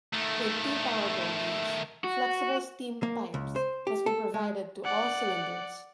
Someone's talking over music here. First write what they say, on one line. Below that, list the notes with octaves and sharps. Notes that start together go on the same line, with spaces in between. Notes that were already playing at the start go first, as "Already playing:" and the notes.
With two power bogies, flexible steam pipes must be provided to all cylinders.
D#3 A3
F#4
A#3
C#2
C5
G4
A4
G#3
D5 F#5